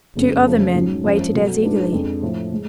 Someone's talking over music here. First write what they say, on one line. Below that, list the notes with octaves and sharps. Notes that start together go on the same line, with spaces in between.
Two other men waited as eagerly.
F#1 F2 C#3 G#3
F2 C#3 F3 A3
G#2 F#3 C#4
G#1 F#2 F3
B2 F#3 B3 F#4 A4
G#2 G#3 D4 F4 B4
F2 F3 G#3 D4
A2 F3 A3
A2 G#3